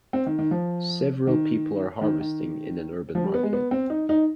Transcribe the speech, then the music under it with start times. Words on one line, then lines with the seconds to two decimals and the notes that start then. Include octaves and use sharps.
Several people are harvesting in an urban market.
0.13 C4
0.26 D#3
0.39 D#3
0.51 F3
1.27 D#3
2.01 D#3
2.20 D#3
3.15 F3
3.24 G3
3.34 B3
3.43 G#3
3.53 B3
3.71 C4
3.90 D#4
4.09 D#4